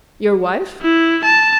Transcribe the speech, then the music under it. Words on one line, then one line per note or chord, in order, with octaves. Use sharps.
"Your wife?"
E4
A5